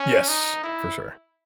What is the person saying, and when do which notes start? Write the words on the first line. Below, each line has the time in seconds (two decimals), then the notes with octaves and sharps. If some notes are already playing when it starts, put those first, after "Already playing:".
Yes, for sure,
Already playing: C#4
0.29 D#4
0.63 E4